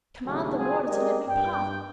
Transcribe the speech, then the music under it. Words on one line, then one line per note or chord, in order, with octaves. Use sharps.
Command the Warder to let me pass.
D#2 A#2 C#3 F#3 G#3 A3
C4 F4 G#4
G#3 G4 A#4 D5 D#5
G2 G5